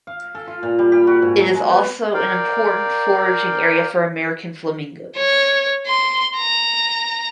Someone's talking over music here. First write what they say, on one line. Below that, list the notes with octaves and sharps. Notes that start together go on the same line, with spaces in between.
It is also an important foraging area for American flamingos.
F5
A4
F4
A#2
G3
G4
F#4
G#2
F#3
G#3
B3
A#4 D5 F5 G5
C#5
C6
A#5